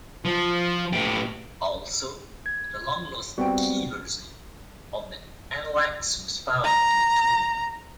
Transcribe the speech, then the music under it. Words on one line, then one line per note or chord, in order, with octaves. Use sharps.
Also the long lost "Qi version" of the Analects was found in the tomb.
F3
A2 G4
G#6
G3 B3 C4 F#4 G5
A#5